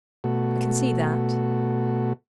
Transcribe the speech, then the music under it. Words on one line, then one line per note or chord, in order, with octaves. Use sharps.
I can see that.
B2 A3 F#4